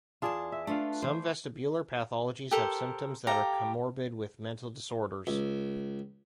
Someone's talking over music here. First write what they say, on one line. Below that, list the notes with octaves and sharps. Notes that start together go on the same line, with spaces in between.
Some vestibular pathologies have symptoms that are comorbid with mental disorders.
E2 G2 F4 G#4 D5 A5
E5
A3 D4 F4 B4 F5
E3 C5
G4 A4 A#4 C5
G4 A4 F5 A#5
C#2